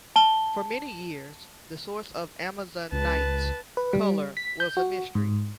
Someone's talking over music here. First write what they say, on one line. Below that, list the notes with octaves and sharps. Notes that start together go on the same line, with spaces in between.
For many years, the source of amazonite's color was a mystery.
A5 G7
C#2 B4 A5
B4
G3
B6
G6
F#4
G#2